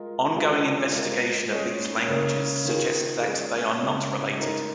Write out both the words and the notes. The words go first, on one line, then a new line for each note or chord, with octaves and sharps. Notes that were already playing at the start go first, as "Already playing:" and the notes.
Ongoing investigation of these languages suggest that they are not related.
Already playing: G#3 F4 A#4
G#3 F4 G#4
G#3 F4 A#4
G#3 C#4 G#4
C#3 A#3 C#4
D#3 A#3 F4 G#4
G#3 C#4 G#4
C#3 G#3 C#4
G#3 D#4 A#4